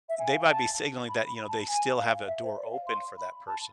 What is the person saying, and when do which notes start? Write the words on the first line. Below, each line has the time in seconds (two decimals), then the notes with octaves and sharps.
they might be signaling that, you know, they still have a door open for that person.
0.09 E5
0.19 G#5
0.28 F5
0.49 A5
1.09 B5
1.27 B5
1.48 A5
1.68 G#5
1.97 F5
2.27 E5
2.43 C5
2.57 D5
2.72 F5
2.87 C6
3.18 B5
3.47 A5